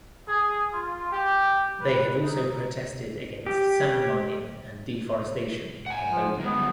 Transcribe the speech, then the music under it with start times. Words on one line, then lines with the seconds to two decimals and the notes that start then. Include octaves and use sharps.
They have also protested against sand mining and deforestation in Cambodia.
0.28 G#4
0.73 F4
1.12 G4
1.81 B4
2.22 D#4
3.46 G4
5.86 F#5 G#5
6.08 F3
6.40 D#3 G#3 B3
6.53 F#2 D3 G3